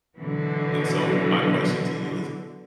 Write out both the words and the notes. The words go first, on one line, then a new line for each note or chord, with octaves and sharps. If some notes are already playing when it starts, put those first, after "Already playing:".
And so, my question to you is,
B2 D3 E3 F#3